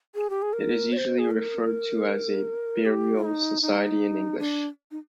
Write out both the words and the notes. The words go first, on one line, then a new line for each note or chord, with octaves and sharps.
It is usually referred to as a burial society in English.
G#4
G4
G#4
A#4
D5
C5
G#4
A#4
G4
D#4
D#4
D4
D#4